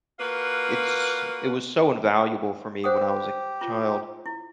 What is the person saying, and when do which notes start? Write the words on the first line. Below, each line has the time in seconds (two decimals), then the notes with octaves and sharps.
it's it was so invaluable for me when I was a child.
0.19 A#3 F4 F#4 B4
2.84 G4 C5 F#5 D#6
3.61 F4
4.26 E4